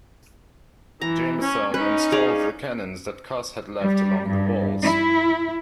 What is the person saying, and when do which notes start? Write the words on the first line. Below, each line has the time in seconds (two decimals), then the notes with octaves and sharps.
Jameson installed the cannons that Cos had left along the walls.
1.01 E3 A#5
1.41 C#4
1.74 C#4 D#4 B4
2.12 G#4 D5 F5
3.80 G3
4.26 G2
4.81 E4